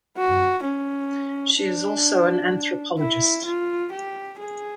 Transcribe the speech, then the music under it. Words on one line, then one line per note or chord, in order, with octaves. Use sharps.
She is also an anthropologist.
F#4
C#4
D4
E4
F4
G4
G#4